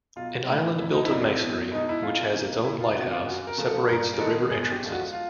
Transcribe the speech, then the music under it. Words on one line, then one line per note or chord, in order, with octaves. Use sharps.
An island built of masonry, which has its own lighthouse, separates the river entrances.
B1 F4
A2 E3 D#4
F1 E4
D#4
E4
F2 D3 F#3 A#3 D#4
E4
E2
B2 G#3 D#4
E4
F1 F4
E2 C#3 F3 A#3
F#1 E4
F4
E2 C3 D#3 F#4
F4
F#2 F#4
A#4
C#3 F3 A3
A4
G2 A#4
A#4
D#3 G#3 B3 A4
G1 G#4
G4
F#2 D3 F3 G#3
F#4
F4